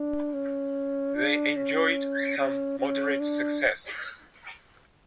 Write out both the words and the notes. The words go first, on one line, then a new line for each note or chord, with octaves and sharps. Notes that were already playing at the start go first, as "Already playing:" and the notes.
They enjoyed some moderate success.
Already playing: D4
C#4
D4
C#4
C#4
C#4
D4